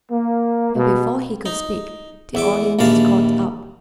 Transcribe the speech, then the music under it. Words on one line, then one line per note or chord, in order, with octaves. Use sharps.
But before he could speak, the Audience got up.
A#3
B2
D#4
E2 E5 D6
A#1 D#2 E3 F5 A5